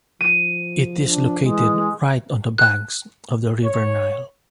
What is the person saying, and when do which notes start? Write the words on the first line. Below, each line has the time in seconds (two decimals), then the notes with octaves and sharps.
It is located right on the banks of the River Nile.
0.21 F3 D#7
1.05 D4
1.42 E3 G#3
2.58 F#6
3.64 C#5